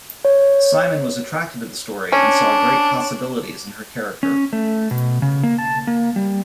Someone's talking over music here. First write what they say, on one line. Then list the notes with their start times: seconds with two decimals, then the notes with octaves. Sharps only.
Simon was attracted to the story and saw "great possibilities" in her character.
0.25 C#5
2.12 C#4 D4
4.23 C#4
4.53 A3
4.91 B2
5.22 C#3
5.43 A#3
5.58 A5
5.87 A#3
6.16 G3